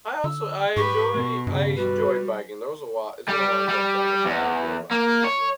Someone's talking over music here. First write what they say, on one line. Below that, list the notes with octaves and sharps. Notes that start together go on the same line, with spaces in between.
I also I enjoy I enjoy biking, there was a lot it's been a while since I've done it, but I enjoy biking, as well.
D3 E6
G#2 G4 B4 C#6
B2
G2 C#3
G3 F#4 B4
G3
G3
E2
A#3
C#5